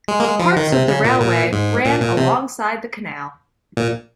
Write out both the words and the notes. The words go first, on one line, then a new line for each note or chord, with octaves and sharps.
Parts of the railway ran alongside the canal.
G#3
A#3
G#3
F3
D#3
C3
C#3
A#2
A#2
G#2
A#2
A#2
C3
A#2